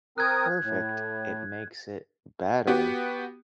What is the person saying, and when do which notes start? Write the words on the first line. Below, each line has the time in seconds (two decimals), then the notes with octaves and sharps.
perfect, it makes it better.
0.18 C4 A#4 D#6 F#6 G#6
0.63 A2
2.67 B3 F#4 G4